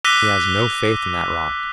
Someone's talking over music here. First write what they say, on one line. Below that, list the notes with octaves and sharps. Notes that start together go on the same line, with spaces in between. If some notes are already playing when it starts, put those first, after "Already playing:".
He has no faith in that rot.
D6 E6 F#6 A#6 B6 D#7